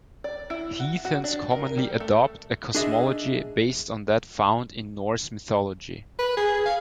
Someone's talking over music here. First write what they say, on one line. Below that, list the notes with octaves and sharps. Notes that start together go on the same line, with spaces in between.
Heathens commonly adopt a cosmology based on that found in Norse mythology.
D5
E4
F#4
F#4
D4
A#4
G3
A3
D4 G#4 D#5 E5
B4
G#4
G#4
F5